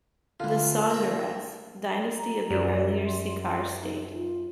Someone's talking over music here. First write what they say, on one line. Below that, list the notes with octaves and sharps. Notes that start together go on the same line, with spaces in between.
The Songaras, Dynasty of the earlier Sikar State.
D3 E3 F4
A#4 E5
A#5
F#2 D5
C6
D#4
F4